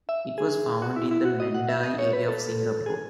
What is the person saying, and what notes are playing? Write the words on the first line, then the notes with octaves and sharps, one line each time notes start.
It was found in the Mandai area of Singapore.
E5
G#4
F#4
E4
E4
F#4
D#5
F#5
E5
D#5
C#5
B4
A4
G#4